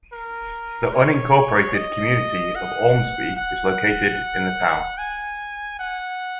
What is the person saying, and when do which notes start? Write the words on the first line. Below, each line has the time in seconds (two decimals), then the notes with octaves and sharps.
The unincorporated community of Ormsby is located in the town.
0.13 A#4
0.93 C#5
1.75 D#5
2.55 F#5
3.37 F#5
4.98 G#5
5.79 F#5